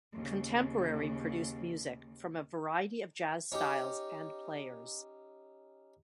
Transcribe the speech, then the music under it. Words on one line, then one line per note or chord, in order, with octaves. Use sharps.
Contemporary produced music from a variety of jazz styles and players.
D#2 C#3
C#4 D#4 G4